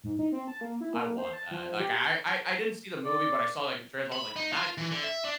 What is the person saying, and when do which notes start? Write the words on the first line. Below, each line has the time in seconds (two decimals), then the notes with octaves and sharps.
I want that." Like, I I I didn't see the movie, but I saw, like, the trailers. I was like, "The knives look
0.04 G#2
0.19 D#4
0.32 C4
0.48 A5
0.61 A#3
0.81 E4
0.94 A#3
1.18 C5
1.33 A5
1.51 F3
1.80 G4
3.05 D5
4.12 B5
4.36 D#4
4.52 F4
4.78 E3
4.91 D3
5.04 E5
5.24 D4